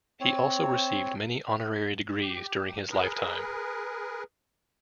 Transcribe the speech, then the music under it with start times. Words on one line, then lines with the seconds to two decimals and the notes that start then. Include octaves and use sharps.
He also received many honorary degrees during his lifetime.
0.21 C4 C#5
2.18 G4
2.91 G#4 A#4 B4